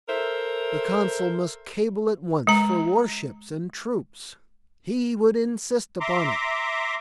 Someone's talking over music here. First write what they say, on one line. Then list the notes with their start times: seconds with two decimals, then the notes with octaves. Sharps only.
The consul must cable at once for war-ships and troops. He would insist upon it.
0.08 A4 A#4 C5 E5
2.47 G#3 A#5
6.01 E5 A#5 C6 D6